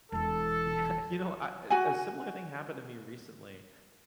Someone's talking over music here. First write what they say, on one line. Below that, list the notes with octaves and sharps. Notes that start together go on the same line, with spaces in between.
Yeah. You know, I a similar thing happened to me recently,
E1 E3 A4
F#4 F#5 G#5